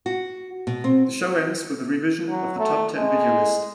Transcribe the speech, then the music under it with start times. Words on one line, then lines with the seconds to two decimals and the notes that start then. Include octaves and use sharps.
The show ends with a revision of the top ten video list.
0.06 F#4
0.67 B2
0.84 C4
2.28 F#3
2.59 A3
2.95 G#3